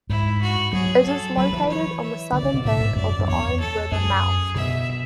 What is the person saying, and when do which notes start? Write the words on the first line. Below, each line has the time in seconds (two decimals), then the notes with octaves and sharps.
It is located on the southern bank of the Orange River mouth.
0.09 G#2 E4
0.42 F#4
0.73 F#3 G#4
1.05 A4
1.37 F#3 B4
1.53 E3
1.69 C#5
2.01 E5
2.33 D3 D5
2.43 C#3
2.54 B2
2.65 A2 E5
2.80 G#2
2.96 F#2 D5
3.19 F#2
3.28 E2 C#5
3.60 A4
3.92 F#2 G#4
4.56 B2 E5